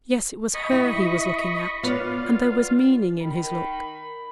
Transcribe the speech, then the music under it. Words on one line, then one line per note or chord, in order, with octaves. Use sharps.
Yes, it was her he was looking at, and there was meaning in his look.
D#5 B5 C#6
E4 G4
B3 F4 C#5 D5
D#3 B5